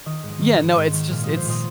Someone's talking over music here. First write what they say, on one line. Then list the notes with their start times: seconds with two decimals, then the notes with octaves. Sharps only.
Yeah, no, it's just it's
0.06 D#3 D#5
0.23 G#2
0.32 D#5
0.41 D#3
0.58 G#2
0.75 G#2
0.93 D#3
1.10 A#2 F5
1.24 F3 D#5
1.37 C5
1.45 A#2 D#5